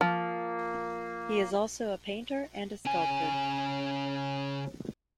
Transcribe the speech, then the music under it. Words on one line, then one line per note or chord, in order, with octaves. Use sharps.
He is also a painter and sculptor.
F3 A#3
C#3 G#5